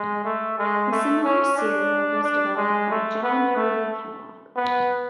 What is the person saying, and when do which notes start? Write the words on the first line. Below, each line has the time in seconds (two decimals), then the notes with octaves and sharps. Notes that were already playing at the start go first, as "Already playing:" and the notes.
A similar cereal was developed by John Harvey Kellogg.
Already playing: G#3
0.25 A3
0.58 G#3
0.91 A3
1.24 C#4
1.57 D4
2.24 D4
2.56 G#3
2.90 A3
3.23 B3
3.56 A3
4.56 B3